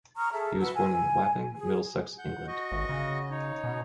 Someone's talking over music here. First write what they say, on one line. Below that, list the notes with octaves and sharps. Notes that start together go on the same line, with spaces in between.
He was born in Wapping, Middlesex, England.
A#5 C#6 D#6 F6
G#4 A4 E5
F#4 B4 F#5 E6
G#5
G#4
F#5 G6
F#4 D#5 C#6
G#1
C#3
D#4 C#5
B2